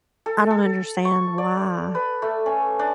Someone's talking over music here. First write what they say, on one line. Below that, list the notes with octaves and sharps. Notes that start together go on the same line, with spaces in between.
I don't understand why
A4
A4
C#6
D5
B4
A3
C#4
D4